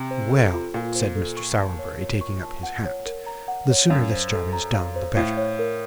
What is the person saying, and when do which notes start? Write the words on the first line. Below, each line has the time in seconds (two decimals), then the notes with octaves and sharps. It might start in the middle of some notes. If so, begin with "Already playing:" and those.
'Well,' said Mr. Sowerberry, taking up his hat, 'the sooner this job is done, the better.
Already playing: C3
0.11 C5
0.32 A4
0.54 F4
0.74 A#2 F4
0.95 C5
1.16 A4
1.37 C#6
1.58 A5
1.79 C#5
2.01 C#5
2.21 C#6
2.43 A5
2.63 F#5
2.85 C#5
3.06 A#4
3.26 A#5
3.48 F#5
3.70 C#5
3.90 F#2 F5
4.11 C5
4.33 A4
4.53 A#5
4.74 F5
4.96 C5
5.16 A2 F5
5.37 C#5
5.59 A#4